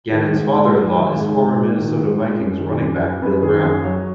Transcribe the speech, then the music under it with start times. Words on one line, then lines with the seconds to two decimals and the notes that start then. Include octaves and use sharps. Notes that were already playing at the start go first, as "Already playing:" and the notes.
Gannon's father-in-law is former Minnesota Vikings running back Bill Brown.
0.12 D#3
0.33 G#2
0.54 G#3
0.74 G#2
0.95 D#3
1.15 G#2
1.36 G#3
1.57 G#2
1.77 D#3
1.98 G#2
2.19 G#3
2.39 F#2
2.60 D#3
2.81 F#2
3.01 F#3
3.22 F#2 B4
3.42 D#3 G#4
3.63 F#2 G#4
3.83 F#3 C#5